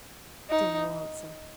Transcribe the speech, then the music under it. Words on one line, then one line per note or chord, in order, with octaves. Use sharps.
Still no answer.
D#4